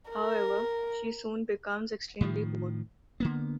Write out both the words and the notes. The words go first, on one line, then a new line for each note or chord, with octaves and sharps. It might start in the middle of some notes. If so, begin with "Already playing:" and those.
However, she soon becomes extremely bored.
A#4
A2 D#3 F3
D3 A#3 B3